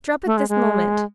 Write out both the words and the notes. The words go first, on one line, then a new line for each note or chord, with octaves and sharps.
Drop it this moment!
A3
G#3
G#3